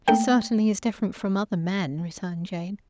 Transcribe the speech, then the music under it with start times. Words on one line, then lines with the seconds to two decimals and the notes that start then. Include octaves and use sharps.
"He certainly is different from other men," returned Jane.
0.08 A3 A#3 G5